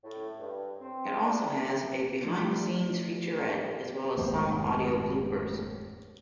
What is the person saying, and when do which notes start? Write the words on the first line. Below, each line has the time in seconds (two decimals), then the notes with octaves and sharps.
It also has a "behind the scenes" featurette, as well as some audio bloopers.
0.03 A2
0.37 G2
0.79 C4
1.21 D4
2.22 F3 A3 D4 F4
4.16 F1 D#2 G#2 C5